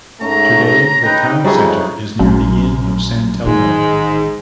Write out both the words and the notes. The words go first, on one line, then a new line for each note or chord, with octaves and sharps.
Today the town centre is near the Inn of San Telmo.
G#2 A3 C#4 A#4 A#5
D#4 B4 G5
F2 D3 G3 D#4 G#4 C#5 E5
A#1 F#2
A1 G#2 D#3 G#3